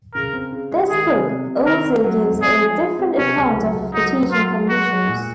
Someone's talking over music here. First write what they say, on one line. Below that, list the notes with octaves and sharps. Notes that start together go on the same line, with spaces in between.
This book also gives a different account of the teaching conditions.
C#3 A#4
C4
C#3
G#3
D#3 G#4
C3
C3
C3
D#3 A#4
C4
F#3
C4
C4 G#4
F3
G#3
C4
C3 C#4
C#2
F#3
C#2
F#3 D#4
F#3
F#3 F4
F#3
G#3 F#4
G#3
A#2